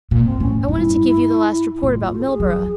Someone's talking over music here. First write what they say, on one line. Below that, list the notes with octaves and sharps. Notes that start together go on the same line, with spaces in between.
"I wanted to give you the last report about Milburgh."
A#2 A#3
C4
A2 C#4
G2 E4
A2 F4
F4
F#4
A4
G#4
F#3